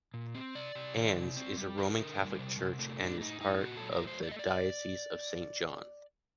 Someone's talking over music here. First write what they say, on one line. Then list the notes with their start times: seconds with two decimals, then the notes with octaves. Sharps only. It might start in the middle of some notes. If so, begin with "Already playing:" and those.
Ann’s is a roman catholic church and is part of the diocese of Saint-John.
0.14 A#2
0.35 C4
0.55 C3 D5
0.75 C3
0.96 D#3
1.17 C3
1.37 C4
1.57 G3
1.78 D3 A#4
1.98 D3
2.19 G3
2.38 C3
2.59 C3
2.79 A3
3.00 A2 D4
3.21 A2 D#4
3.41 A2 D#4
3.61 A#2 F#4
3.77 F#3 A4
3.92 A#4
4.02 A3 C5
4.23 A3 D5
4.31 D#5
4.39 D5